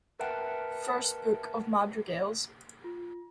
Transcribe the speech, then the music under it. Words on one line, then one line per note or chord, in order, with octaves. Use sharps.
First Book of Madrigals.
A#4 B4 E5 F#5 G5 A5
F4